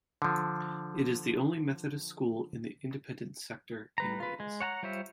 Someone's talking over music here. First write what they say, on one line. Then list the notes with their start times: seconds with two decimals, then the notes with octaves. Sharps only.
It is the only Methodist school in the independent sector in Wales.
0.22 D3 F3
3.98 G3 B4 A#5
4.20 F4 B4
4.40 G#3
4.60 C#5 F#5 A5 A#5
4.83 G3 F4 C5 C#5 E5